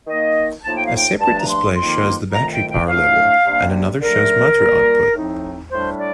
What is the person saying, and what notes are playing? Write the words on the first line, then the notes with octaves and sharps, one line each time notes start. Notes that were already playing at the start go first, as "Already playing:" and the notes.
A separate display shows the battery power level and another shows motor output.
D#3 A#3 D#4 D#5
A2 F3 A#3 D#4 A5
G5
F5
G5
G2 F3 A3 D4 A5
A#5
C6
F2 D#3 A#3 D#4 C6
F2 D#3 A3 A#5
G5
G5
A2 A3 D4 F5
C3 G3 A#3 D4
D3 F3 A3 A#4
A#2 G3 A#3
A2 F3 C4 D#4
A2 G3 D4 C5
D5